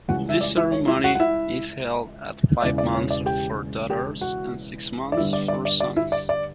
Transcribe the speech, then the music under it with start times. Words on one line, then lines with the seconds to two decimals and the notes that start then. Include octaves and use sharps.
This ceremony is held at five months for daughters, and six months for sons.
0.08 C#2 C#3 E3 G3 C#4 F#4 F#5
0.29 E5
0.41 D5
0.57 E4 E5
0.72 C#5
0.87 E4 E5
1.04 F#4 F#5
1.15 F#5
1.20 E4 E5
2.62 E1 E2 C#3 E3 D5
2.78 D5
2.95 C#5
3.10 D5
3.26 G4 G5
3.90 G4 G5
4.21 F#4 F#5
5.12 D5
5.17 G2 D3 G3 B3 E4 E5
5.33 D5
5.48 D5
5.65 D5
5.80 D5
5.96 E4 E5
6.12 D5
6.29 D5